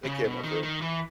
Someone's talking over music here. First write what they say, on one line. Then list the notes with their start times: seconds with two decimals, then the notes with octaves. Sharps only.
Take care, my friend.
0.05 C#3
0.24 B2
0.43 D#3
0.63 D#3
0.82 E3